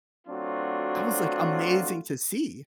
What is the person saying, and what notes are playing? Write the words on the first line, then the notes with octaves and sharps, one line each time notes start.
That was, like, amazing to see.
F#3 A3 C4 D4 F4 F#4